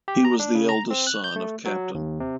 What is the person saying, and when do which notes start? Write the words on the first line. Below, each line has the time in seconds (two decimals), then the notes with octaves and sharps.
He was the eldest son of Capt.
0.08 G4
0.25 A#5
0.40 D4
0.55 C#3
0.69 A#5
0.90 C4
1.07 F#6
1.24 G6
1.36 A3
1.66 F#3
1.95 D#2
2.20 C3